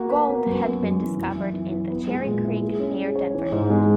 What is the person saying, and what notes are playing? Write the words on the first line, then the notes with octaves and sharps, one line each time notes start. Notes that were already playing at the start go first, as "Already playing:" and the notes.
Gold, had been discovered in the Cherry Creek, near Denver.
Already playing: A#3 F#4
B4
A#3
F#2
B3
F#2
E3
F#2
E4
E3
E3
B3
G#3
A#2
E4
G#4
C#4
G#4
C#5
E3
G#2
G#3